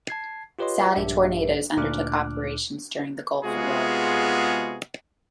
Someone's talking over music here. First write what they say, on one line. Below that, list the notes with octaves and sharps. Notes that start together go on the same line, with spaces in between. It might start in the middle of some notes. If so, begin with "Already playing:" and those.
Saudi Tornados undertook operations during the Gulf War.
A5 G#6 C7
F4 G4 B4 C#5 D#5 C6
A#1 G2 D4 G4 E5
D2 A#2 D4 D6 F6 F#6
C3 G#3 B3 F4 F#4 G#4